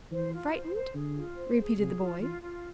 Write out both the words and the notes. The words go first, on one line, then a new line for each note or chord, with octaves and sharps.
'Frightened?' repeated the boy.
E3 C5
F4
C5
C5
D3 G#4
F4
C5
G#4
C3 G#4
F4
E3 F4
F4